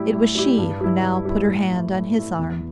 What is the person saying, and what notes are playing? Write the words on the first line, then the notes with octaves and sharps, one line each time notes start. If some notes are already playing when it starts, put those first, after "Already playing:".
It was she who now put her hand on his arm.
Already playing: A2 G3 E4 G4
A2
G3 E4 G4
G2
G3 E4
G2
G3 E4
A2
A3 E4
A2
A3 E4
E2